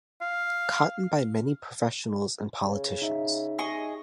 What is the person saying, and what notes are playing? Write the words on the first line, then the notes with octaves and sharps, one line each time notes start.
Cotton by many professionals and politicians.
F5
C#3
D#4 E5
G#4 D#5 C#6